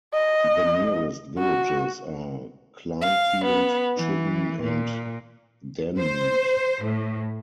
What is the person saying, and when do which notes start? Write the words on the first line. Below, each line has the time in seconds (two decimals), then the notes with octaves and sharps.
The nearest villages are Clanfield, Chidden and Denmead.
0.14 D#5
1.38 F#4
3.01 F5
3.45 B3
3.98 E3
4.64 A#2
5.98 C5
6.83 A2